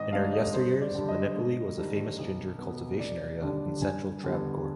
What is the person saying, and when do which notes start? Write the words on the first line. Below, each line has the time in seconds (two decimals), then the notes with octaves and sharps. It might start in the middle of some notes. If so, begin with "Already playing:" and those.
In her yesteryears, Monippally was a famous ginger cultivation area in Central Travancore.
Already playing: G#1 D#5
0.12 G#2 G3 D4 F5
0.33 D#5
0.54 G2 C5
0.82 D5
0.94 D3 G3 D4
1.08 D#5
1.36 G#2
1.77 D#3 G3 D4
2.18 B1
2.59 B2 B3
2.99 F1 D5
3.41 D#2 D3 G3 D4
3.82 G2 G#5
4.23 D3 G3 B3